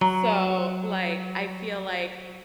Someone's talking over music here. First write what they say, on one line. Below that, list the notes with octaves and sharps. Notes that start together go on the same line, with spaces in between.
so, like, I feel like
F#3 A#5